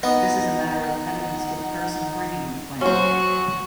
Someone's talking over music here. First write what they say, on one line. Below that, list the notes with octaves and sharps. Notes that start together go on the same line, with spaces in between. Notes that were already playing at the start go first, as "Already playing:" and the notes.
This is a matter of evidence for the person bringing the claim.
B3 D#4 D#5 F#5
F#3 C#4 F#4 C5